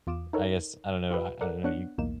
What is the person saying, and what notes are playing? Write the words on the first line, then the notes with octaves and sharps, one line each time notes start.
I guess, I don't know I I don't know, you
E2 F4 D6 D#6 E7
D#4 E4 A4 A#4 C#5
F4 G4 B4
A4 A#4 D5 F#5
B3 D4 C#5 F#5 F#6 C#7
B1 E2 A2 A#3 D#4 E7